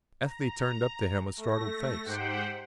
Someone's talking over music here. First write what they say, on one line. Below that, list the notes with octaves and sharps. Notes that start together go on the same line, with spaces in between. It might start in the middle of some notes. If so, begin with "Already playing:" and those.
Ethne turned up to him a startled face.
A#5
A3 A#6
G#2 G4 C5 F#5 G5